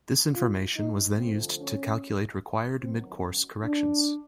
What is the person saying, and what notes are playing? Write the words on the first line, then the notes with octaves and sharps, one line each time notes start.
This information was then used to calculate required mid-course corrections.
F4
D#4
D3 F3 A3 C4
C#4
D#3 F#3 B3 C4
C#4
D4